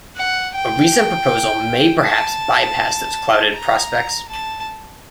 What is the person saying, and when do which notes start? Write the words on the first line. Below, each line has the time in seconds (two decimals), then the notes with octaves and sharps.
A recent proposal may perhaps by-pass those clouded prospects.
0.16 F#5
0.55 G5
2.04 A5
3.53 A#5
4.28 A5